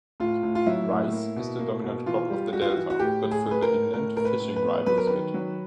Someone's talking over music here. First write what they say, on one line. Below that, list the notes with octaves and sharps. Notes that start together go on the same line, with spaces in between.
Rice is the dominant crop of the delta, but further inland fishing rivals it.
A2 F4
A2
F4
F#3 E4
A2
A#3
B2
A#3
B2
E3 F4
G3
G3 F#4
F4
F#4
E3
F#4
A2 G4
A2
G#4
A2 B4
A#4
A2
A2 A#4
A2 A#4
B4
A2
B4
B3
F#3 B4
A#4
D#3 B4
F#3